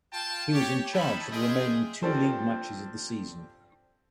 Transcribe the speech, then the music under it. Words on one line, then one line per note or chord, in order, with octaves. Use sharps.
He was in charge for the remaining two league matches of the season.
F4 G5 A5
G4 C#5
C#4 D#4 E4 A5 B5
G#3 F4 G#4 D#5 E5 G5
F3 C4 D4 G4 A4 C5